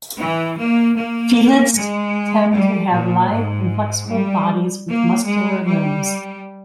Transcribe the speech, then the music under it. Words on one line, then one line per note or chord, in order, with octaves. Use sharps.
Felids tend to have lithe and flexible bodies with muscular limbs.
E3
A#3
A#3
G#3
G3
A#2
G#2
G3
A#3
G#3
G3